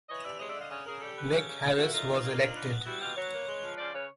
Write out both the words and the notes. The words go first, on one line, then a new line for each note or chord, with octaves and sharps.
Nick Harris was elected.
E3 C#5 D#5
C3 D5 E5
G#3 C#5 D#5
D5 E5
D3
D#5 F5
C#3 C#5 D#5
C#3 G#4 A#4
G3 G4 A4
B3
C#3
C#3
F3
A3 E4 F#4
F#2 D#4 F4
D#3
A#3
D4
B3
B3
G3 E4 F#4
B2 F4 G4
F#3 B4 C#5
A#3
G#3
F3
C#3 C5 D5
C#3 B4 C#5